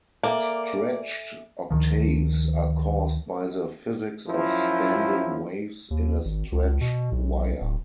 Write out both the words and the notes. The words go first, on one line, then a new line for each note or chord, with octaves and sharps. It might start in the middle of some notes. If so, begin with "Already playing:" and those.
Stretched octaves are caused by the physics of standing waves in a stretched wire.
A#3 A4 D5 E5 G#5
D2 D#3 F3
F#2 F3 E4
D#2
G#1
C#2
B2
B1
D1